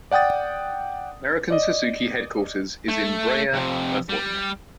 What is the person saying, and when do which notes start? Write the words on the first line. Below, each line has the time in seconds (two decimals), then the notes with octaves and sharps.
American Suzuki headquarters is in Brea, California.
0.11 D5 F#5 G5 D#6 A6
1.50 D5 D#5
2.88 A3
3.54 F2 C3
4.09 G3